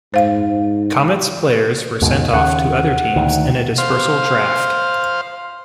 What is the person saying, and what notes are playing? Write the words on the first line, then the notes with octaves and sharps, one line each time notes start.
Comets players were sent off to other teams in a dispersal draft.
G#2 C5 F5
D#2 G#2 B2
D#2 C#3 F#5
D2 D#3
C5 F5